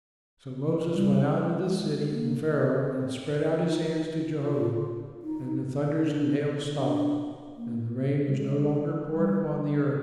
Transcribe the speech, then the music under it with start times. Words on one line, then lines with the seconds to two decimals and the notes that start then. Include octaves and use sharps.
So Moses went out of the city from Pharaoh and spread out his hands to Jehovah; and the thunders and hail stopped, and the rain was no longer poured upon the earth.
0.67 F3
0.80 D#3
0.93 G3
1.65 G3
1.71 G#3
2.10 A#3
2.88 C4
3.65 D#4
4.43 F4
5.22 D#4
5.99 D4
6.78 D4
7.56 A#3
8.27 G3
8.34 G#3
9.12 G3